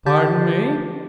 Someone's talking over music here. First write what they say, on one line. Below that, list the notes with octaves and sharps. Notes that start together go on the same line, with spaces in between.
"Pardon me!"
D3 G4 A5 D6 G6 A6